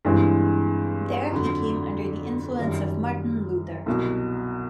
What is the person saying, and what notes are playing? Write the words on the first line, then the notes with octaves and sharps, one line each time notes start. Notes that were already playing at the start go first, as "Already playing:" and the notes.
There he came under the influence of Martin Luther.
G2 E3 G#3 C4
F2 D3 F#3
F#2 D#3 G3
C2 B2 F#3